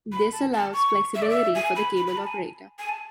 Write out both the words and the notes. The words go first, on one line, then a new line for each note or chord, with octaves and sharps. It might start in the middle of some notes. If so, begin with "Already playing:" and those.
This allows flexibility for the cable operator.
B5
A5
A5
C#6
E5
D5
E5
G#5
B5
B5
B5
A5
G#5
G#5
A5